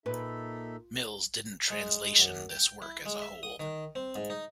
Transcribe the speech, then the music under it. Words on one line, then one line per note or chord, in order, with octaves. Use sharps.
Mills didn't translation this work as a whole.
A#2 D#4 A4 B4 E5
G#3
F#2
G5
E4
G#3
E5
D#6
D#3
C4
G#2
D#4